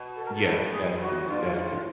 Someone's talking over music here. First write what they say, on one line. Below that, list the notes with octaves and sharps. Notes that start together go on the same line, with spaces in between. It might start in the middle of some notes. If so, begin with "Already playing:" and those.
Yeah. That's true, that's true,
Already playing: B2
A4
A#4
A4
G2
G#4
F4
F#2 F#4
G2 F4
G#2
A2